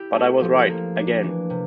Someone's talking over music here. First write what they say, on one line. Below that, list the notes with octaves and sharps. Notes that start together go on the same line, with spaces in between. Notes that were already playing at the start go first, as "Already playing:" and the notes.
But I was right - again!
Already playing: E4 G4
A3
F3
A#3
D4
E3
C3